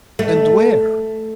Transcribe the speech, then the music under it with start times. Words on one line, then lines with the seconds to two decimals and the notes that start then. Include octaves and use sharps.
And where?
0.19 A3